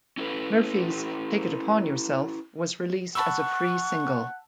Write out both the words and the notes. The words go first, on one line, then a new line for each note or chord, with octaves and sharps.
Murphy's "Take It Upon Yourself" was released as a free single.
C#4 E4 A4 B4
F#5 A5 B5 C#6 E6